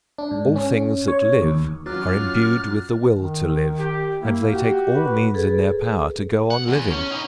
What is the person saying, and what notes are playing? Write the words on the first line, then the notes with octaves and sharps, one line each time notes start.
All things that live are imbued with the will to live and they take all means in their power to go on living.
D4
G#2
C#4
C#5
D#2
F#3 C#4 F4 F#4 D6 F6 F#6 A6
D#3
G4
A#3 E4
F#4 G4
B4
G#4 A4 B4
F#5
E2
C#4
B3 D#4